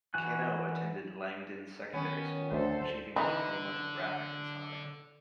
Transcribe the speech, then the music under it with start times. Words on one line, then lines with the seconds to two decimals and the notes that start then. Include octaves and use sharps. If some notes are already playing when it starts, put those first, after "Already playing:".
Kano attended Langdon Secondary School, achieving a diploma in graphic design.
0.14 E3 F#4 G#5 F#6
1.93 D#3 B3 C#4
2.52 D2 A4 C5
3.16 D3 E3 D#4